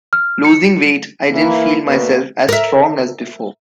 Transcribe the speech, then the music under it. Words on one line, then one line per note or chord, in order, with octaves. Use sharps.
Losing weight I didn't feel myself as strong as before.
F6
C#7
E3 A#3 E4
D2 B2 A#3 B3
A#4 E5